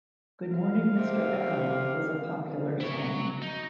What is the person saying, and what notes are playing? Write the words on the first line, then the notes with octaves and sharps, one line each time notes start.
"Good Morning, Mister Echo" was a popular song.
F5
C3
E4 C#5
F#3
D#4